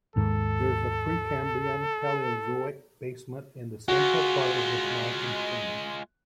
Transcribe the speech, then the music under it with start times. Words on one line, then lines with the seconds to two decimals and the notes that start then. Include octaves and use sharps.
There is a Precambrian-Paleozoic basement in the central part of this mountain chain.
0.16 D#2 G#2 D#3 A4
3.88 G#3 F4 F#4